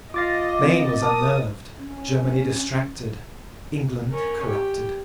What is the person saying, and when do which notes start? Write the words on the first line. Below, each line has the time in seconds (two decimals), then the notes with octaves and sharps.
Spain was unnerved, Germany distracted, England corrupted.
0.14 F4 D#5 F5 D6 A6 A#6
0.63 C4
1.02 A#4 A5 D#6
1.79 C#4
4.10 C#4 A#4
4.45 G4